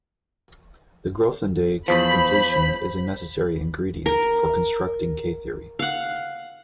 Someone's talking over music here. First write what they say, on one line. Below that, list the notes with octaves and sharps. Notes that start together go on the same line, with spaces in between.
The Grothendieck completion is a necessary ingredient for constructing K-theory.
E2 F3 C5 B5
A#4
F5 F#5